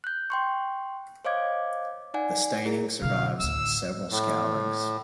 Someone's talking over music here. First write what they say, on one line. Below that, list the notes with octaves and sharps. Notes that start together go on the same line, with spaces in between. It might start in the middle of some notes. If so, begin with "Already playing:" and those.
The staining survives several scourings.
F#6 G6
G5 C6 C#6
C5 C#5 D#5 F5 D6 G#6
D#4 D5 F#5 G#5
E4 G#4 A#4
B2 D3 F5
A1 D2 E6
A2